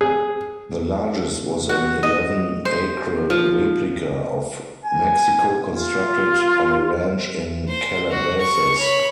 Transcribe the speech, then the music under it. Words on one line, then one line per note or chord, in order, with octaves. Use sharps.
The largest was an eleven-acre replica of Mexico constructed on a ranch in Calabasas.
G#4
F#4
D#5
C5
F3
G#5
F4
C5
F#4
C#6
C#5 B5